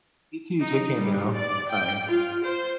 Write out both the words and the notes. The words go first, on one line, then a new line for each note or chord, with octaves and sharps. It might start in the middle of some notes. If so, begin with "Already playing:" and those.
You too, take care now, bye.
D#4
G3
D5
G5
F4
C5